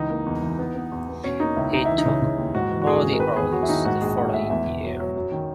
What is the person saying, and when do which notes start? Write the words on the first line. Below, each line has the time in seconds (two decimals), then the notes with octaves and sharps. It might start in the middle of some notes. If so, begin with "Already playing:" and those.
He took Holy Orders the following year.
Already playing: C#2 E3 D#4
0.10 A#3
0.26 E2
0.42 E3
0.59 B3
0.75 B3
0.91 E2
1.08 B3
1.24 B2 C#4
1.40 A#3 D#4
1.57 C#2 E4
1.73 C#2 D#4
1.85 E3 E4
1.98 D#4
2.06 C#3
2.22 C#3
2.38 D#2
2.55 G#2 F#4
2.71 E3
2.82 F#4
2.87 G#1 G#4
3.04 G#1
3.13 A#4
3.20 D#3 B4
3.36 E2 G#4
3.52 F#3 F#4
3.63 E4
3.69 D#3 D#4
3.85 G#2 F#4
4.01 A#1 G#4
4.18 A#1 F#5
4.34 A#1 E5
4.50 E2 E5
4.67 E1
4.84 F#3
5.00 F#3
5.16 F#2
5.32 D#3